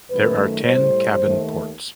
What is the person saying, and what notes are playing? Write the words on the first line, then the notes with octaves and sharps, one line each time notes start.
There are ten cabin ports.
F#2 D#3 A3 B4
A2 G3 C5
D#2 D#3 A3